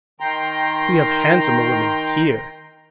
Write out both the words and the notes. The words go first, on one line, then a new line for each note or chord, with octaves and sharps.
"We have handsomer women here."
D#3 G5 A#5 C6